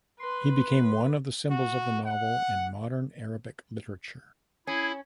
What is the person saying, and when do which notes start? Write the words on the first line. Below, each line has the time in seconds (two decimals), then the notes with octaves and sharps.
He became one of the symbols of the novel in modern Arabic literature.
0.20 B4 C6
1.50 F#4
2.06 F#5
4.67 C#4 E4 G#4